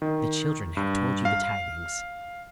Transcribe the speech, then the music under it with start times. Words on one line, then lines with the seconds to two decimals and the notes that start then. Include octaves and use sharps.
The children have told you the tidings.
0.02 D#3
0.77 G2
1.25 F5